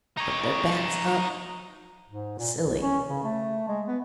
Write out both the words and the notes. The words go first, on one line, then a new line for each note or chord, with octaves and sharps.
Put their backs up....Silly....
D#4 C#5
G#2
A#2
C2
C#4
C#3
A3
G#3
B3